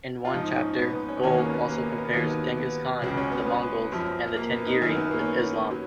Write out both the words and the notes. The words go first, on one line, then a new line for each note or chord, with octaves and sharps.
In one chapter, Goel also compares Genghis Khan, the Mongols and Tengiri with Islam.
F4
G#2 F3 D#4
C#4
B3
B3
C#4
D#2 D#3 F#3 C#4
A#3
B3
B3
A#3
B3
B3
D#2 D#3 F#3 B3
B3
C#2 C#3 F#3
C#4
B3
B3
F#2 F3
A#3
B3
D#4
F#2 D#3 F#3 B3
B3
A#3
C#4
B3
F#3